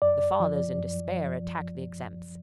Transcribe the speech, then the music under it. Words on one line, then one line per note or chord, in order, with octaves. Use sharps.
The fathers, in despair, attacked the exempts.
F#2 D5
F3
F#2
F3